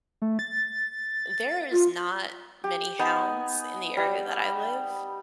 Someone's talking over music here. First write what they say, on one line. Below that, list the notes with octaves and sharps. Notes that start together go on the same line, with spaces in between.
there is not many hounds in the area that I live.
A3
A6
F4
G4
B3 D#4 G#5
G3